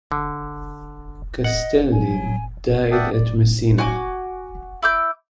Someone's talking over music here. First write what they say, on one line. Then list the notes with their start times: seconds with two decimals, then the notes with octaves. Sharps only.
Castelli died at Messina.
0.12 D3
1.44 D#5 F#5
1.92 G#5
2.92 D5 E5 F#5 G5 A5 D#6
3.12 D5
3.78 F#4 G#5 D6
4.82 E4 D6 G6